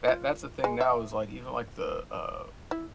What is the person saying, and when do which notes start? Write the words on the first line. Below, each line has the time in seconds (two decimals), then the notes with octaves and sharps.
That that's the thing now is, like, even like the, uh,
0.08 F4
0.64 G#3
0.81 E5
2.71 E4